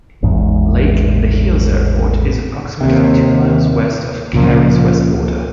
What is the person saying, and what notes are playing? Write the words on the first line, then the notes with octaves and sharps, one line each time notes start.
Lake in the Hills Airport is approximately two miles west of Cary's west border.
A1 E2 G#2
D#2 C3
C#2 A#2 C#3 F3